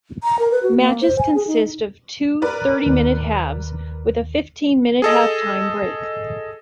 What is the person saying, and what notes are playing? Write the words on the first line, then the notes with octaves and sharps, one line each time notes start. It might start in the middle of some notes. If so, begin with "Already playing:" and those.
Matches consist of two thirty-minute halves, with a fifteen-minute half-time break.
A#5
A#4
B4
F#4
A#3
C5
G#5
G#4
D#4
A#4 B4 D5
D#2
G#4 A4 D#5